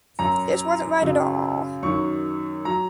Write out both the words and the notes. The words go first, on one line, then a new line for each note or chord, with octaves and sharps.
This wasn’t right at all.
F#2 F#3 A#5
F#2 C#3 F#3
F#2 D#3 F#3 C#6
F#3 A#5